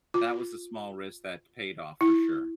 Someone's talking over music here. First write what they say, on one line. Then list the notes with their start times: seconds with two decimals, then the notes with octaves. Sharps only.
that was a small risk that paid off for sure.
0.14 F4
2.01 E4